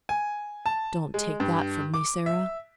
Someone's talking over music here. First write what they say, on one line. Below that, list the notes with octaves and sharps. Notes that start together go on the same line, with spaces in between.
Don't take that from me, Sara.
G#5
A5
G#3
G2
D6
E5